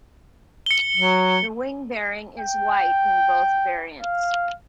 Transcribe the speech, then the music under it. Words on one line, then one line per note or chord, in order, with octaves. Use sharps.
The wing barring is white in both variants.
C#7 G7
F#3
G5
F5